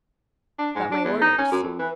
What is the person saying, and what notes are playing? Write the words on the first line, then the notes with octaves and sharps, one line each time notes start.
"But my orders."
D4
G#2
D4
E2
D#4
C#4
F#2
F2
E3